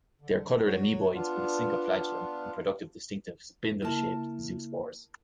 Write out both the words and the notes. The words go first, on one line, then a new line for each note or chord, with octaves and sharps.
They are colored amoeboids with a single flagellum, and produce distinctive spindle-shaped zoospores.
D3
F#3 F#4 C#5
B3 D4 F4
C#3 A#3 E4 A#4 A5